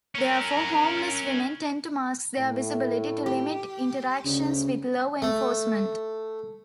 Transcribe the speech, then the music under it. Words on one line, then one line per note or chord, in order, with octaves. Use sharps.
Therefore, homeless women tend to mask their visibility to limit interactions with law enforcement.
C#4 A#4
A2
G4
D2 C#3
A3